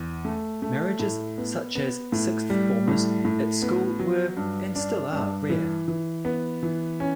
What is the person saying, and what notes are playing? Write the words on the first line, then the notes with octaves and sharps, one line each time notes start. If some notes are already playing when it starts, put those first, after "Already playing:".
Marriages such as sixth-formers at school were and still are rare.
Already playing: E2
A3
A3
A2
B3
B3
A2
G3
A2
A2
B3
F#3
G2
D4
G2
E3
E3
B3
E3
C#4